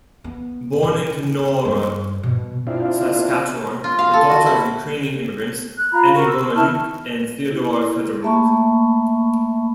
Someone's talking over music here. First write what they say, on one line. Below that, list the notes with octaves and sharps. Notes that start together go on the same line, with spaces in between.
Born in Canora, Saskatchewan, the daughter of Ukrainian immigrants, Annie Romaniuk and Theodore Fedoruk.
B3
C#3
G2
B2
C4 D4 E4 F4
F4
F5
A4
F#4
E4
F#6
F4 A#5 B5
F#4 A#4
E6
E4 A5 C#6 F6
E4
A3 A#3 E5 A5 B5 C#6